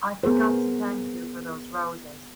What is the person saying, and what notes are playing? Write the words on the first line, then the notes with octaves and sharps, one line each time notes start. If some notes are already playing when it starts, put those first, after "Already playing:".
I forgot to thank you for those roses.
B3 G#4 A#4 C5